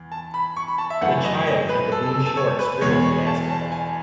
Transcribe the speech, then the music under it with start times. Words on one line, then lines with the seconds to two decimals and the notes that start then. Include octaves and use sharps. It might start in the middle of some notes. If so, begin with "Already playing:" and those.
The child in the blue shorts dribbled the basketball.
Already playing: E2
0.12 A5
0.34 B5
0.56 C#6
0.68 B5
0.78 A5
0.90 E5
1.01 F#2 E3 A3 F#5
1.24 D#5
1.47 D#5
1.69 B4
1.92 A4
2.03 A4
2.14 A4
2.26 A4
2.37 C#5
2.59 B4
2.81 E2 B2 G#3 C#5
3.04 C#5
3.27 A5
3.50 A5
3.72 G#5